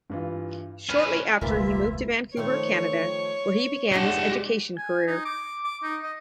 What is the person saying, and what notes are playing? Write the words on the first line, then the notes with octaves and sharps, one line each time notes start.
Shortly after he moved to Vancouver, Canada, where he began his education career.
G2 E3 F4
C#4 B4 F6
E1 C#2 E3 A3 A#3 F4 A#4 E5
D#3 F3 A3 C#5
G3 G#3 D4 G4 F#5
G#5
D#4
D6
D6
D#4
D#5